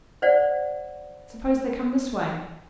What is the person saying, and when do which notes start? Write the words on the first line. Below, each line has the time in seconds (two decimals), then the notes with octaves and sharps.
Suppose they come this way.'
0.22 C5 D5 F#5